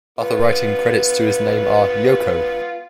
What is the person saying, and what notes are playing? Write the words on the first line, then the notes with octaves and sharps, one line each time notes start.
Other writing credits to his name are: Yoko!
B3 F4